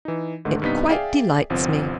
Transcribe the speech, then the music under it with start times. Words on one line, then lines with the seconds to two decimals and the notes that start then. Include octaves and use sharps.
It quite delights me.
0.05 E3 D#4
0.45 G#2 D3 D#3 A3
0.62 G2 C3 B3 D#4 B6
0.89 G#4 D5 E5 F5 G5
1.50 G1 C2 F3 C4